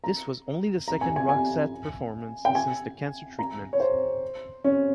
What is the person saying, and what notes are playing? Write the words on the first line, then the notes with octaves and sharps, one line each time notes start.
This was only the second Roxette performance since the cancer treatment.
A#5
A#5
G#5
G#5
G#5
G5
G#5
A#5
C#5
C5
C#4